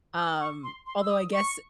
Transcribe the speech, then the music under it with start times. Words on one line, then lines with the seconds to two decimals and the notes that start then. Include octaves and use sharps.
Um, although I guess
0.17 E6
0.40 C#6
0.63 C6
0.86 C6
1.01 E6
1.10 D#6
1.33 C#6